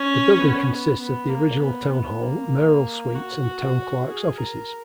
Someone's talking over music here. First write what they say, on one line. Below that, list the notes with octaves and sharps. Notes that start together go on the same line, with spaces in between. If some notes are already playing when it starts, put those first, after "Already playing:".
The building consists of the original Town Hall, mayoral suites and town clerk's offices.
Already playing: C#4
B3
B3
B3
A#3
B3
B3
A#3
F#4
G#4
A#4